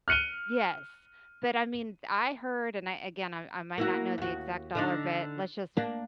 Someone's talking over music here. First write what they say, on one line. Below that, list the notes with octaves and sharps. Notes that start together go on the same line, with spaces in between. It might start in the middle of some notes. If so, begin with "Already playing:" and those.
Yes, but, I mean, th I heard, and I again, I I might not know the exact dollar, but let's just,
F6 F#6 C#7 D#7 G7
A#3 E4 F#4
D#2 F#4
D3 D4 D#4
A#3 D4